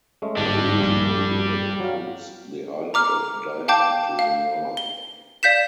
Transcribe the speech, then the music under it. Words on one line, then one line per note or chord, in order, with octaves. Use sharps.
The regional unit includes the island of Dia to the north.
G#3 A3 C#4
G1 G#2 G3 D4
A#1 G2
F#3 F5
A#5 D6 F6
F5 G5 A5 D6 G6
F5
G7
D5 F5 G6 B6 E7